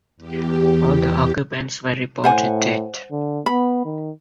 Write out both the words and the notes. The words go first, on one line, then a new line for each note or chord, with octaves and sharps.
All the occupants were reported dead.
E2 G4
A2 C5 F#5 G#5
D3
B3 B5
D#3